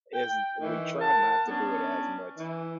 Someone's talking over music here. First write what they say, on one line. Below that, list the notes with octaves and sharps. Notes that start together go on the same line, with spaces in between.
is we tried not to do it as much
G5
D#3 E3
A#4 F#5 A5
B3 C#4 D4
E3